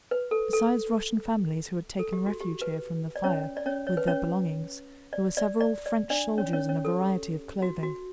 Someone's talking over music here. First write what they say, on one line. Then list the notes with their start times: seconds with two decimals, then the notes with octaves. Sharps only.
Besides Russian families who had taken refuge here from the fire with their belongings, there were several French soldiers in a variety of clothing.
0.11 B4
0.31 A4
0.53 A4
1.99 A4
2.13 G4
2.26 F#4
2.41 G4
2.61 B4
3.16 D5
3.24 C#4 C#5
3.57 D5
3.66 C#4 C#5
3.87 C#5
3.97 B4
4.08 C#4 C#5
5.13 D5
5.37 D5
5.60 D5
5.86 D5
6.10 D4 D5
6.38 C#4 C#5
6.53 C#4 C#5
6.69 C#4 C#5
6.85 A4
7.01 G4
7.62 F#4
7.83 F#4